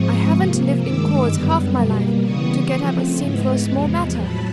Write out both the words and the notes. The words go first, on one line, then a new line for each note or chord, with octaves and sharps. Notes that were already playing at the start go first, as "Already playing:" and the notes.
I haven't lived in courts half my life to get up a scene for a small matter!
Already playing: G#2 F3 G#3 C4 C#6 D#6
C3 F3 A#3
G2 D#3 G#3 D6 E6
F#2 D3 G3 B3
B2 G3 A#3
C#3 E3 G3 B3 C#6 D#6
C#3 F3 A3 C4
G#2 E3 G#3 B3
E2 C3 F3 G#3
A2 F#3 A5 B5